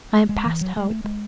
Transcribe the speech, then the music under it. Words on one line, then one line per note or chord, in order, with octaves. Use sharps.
I am past hope.
G#3
E3
F#3
G#3
A3
G#3